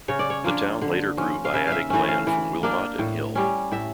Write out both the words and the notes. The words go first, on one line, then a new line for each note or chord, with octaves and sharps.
The town later grew by adding land from Wilmot and Hill.
C#3 C#5
D5
C#5
F3 A#3 D4
D3
F3 C#4
F5
C#3 E5
E5 F5
E3 A3 C#4
F5
E3
A#3 D4
A2
G3 C#4
A2 E5